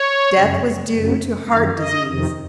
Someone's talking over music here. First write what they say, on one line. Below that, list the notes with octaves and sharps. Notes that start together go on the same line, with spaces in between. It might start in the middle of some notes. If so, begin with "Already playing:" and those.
Death was due to heart disease.
Already playing: C#5
F#2 C#3
F#2 C#3
F#2 D#3 F5
D#5
F2 C3 D#3